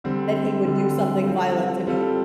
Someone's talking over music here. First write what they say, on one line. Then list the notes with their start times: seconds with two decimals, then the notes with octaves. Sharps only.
that he would do something violent to me.
0.04 D3 G3 C4
0.65 D3 G3 C4
1.26 G3 C4 F4 A4
1.87 G3 C4 F4 A4